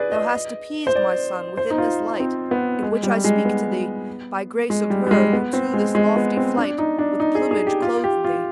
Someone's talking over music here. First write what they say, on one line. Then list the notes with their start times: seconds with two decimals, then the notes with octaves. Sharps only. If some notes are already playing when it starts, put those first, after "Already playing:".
Thou hast appeased, my son, within this light In which I speak to thee, by grace of her Who to this lofty flight with plumage clothed thee.
Already playing: G#4 B4 D5
0.12 D#5
0.87 C5
0.96 D5
1.57 C5
1.70 D#4
1.78 F4
2.20 C4
2.51 B3
2.83 G#3
3.03 G3
3.24 G#3
3.45 B3
4.70 G#3
4.90 G3
5.07 G3
5.11 G#3
5.33 B3
5.53 C4
5.74 G#3
5.95 G#3
6.16 B3
6.37 C4
6.57 D4
6.78 D#4
6.99 D4
7.20 D#4
7.35 G#4
7.51 G#4
7.67 G4
7.82 F4
8.04 G4
8.24 F4